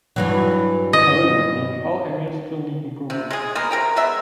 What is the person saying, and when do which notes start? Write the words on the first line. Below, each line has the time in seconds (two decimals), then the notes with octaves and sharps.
However, nearly all areas still need improvement.
0.16 G2 E3 F#3
0.93 D#5
3.10 C3
3.30 G#3 G#4
3.55 G#3 A#3 B3 A#4
3.71 C3 A#4 G5 A#5
3.96 G#3 B3 E5